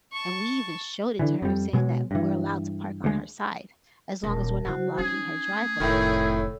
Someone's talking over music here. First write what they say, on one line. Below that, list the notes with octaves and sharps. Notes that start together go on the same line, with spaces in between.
and we even showed it to her saying that we're allowed to park on her side as long as we're not blocking her driveway.
A5 C#6
D3 E3
F2 G3
B2 F#3 G#3
G2 E3
D2 G#3
D#1 A#4 A5
C#3 F#3 E4 F#4 C5
C#4 D#4 G#4
A3
F1 A2 D#3 A4 C#5 E6